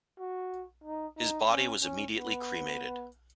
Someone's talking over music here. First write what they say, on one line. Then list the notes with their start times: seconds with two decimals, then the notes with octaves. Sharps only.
His body was immediately cremated.
0.19 F#4
0.84 D#4
1.17 D#4
1.50 C#4
1.82 C#4
2.16 B3